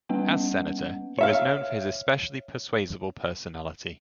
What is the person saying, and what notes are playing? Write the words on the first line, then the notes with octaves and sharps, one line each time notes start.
As senator, he was known for his especially persuasible personality.
G3 A#3 B3 C#4 B4 F#5
C#5 E5 F5